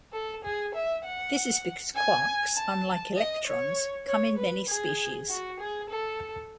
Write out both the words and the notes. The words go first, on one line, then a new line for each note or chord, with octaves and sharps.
This is because quarks, unlike electrons, come in many species.
A4
G#4
E5
F#5
G#5
A5
D#5
C#5
C#5
B4
G#4
F#4
G#4
A4